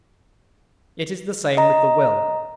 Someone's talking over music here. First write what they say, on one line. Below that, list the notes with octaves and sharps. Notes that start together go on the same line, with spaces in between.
It is the same with the will.
D#5 A#5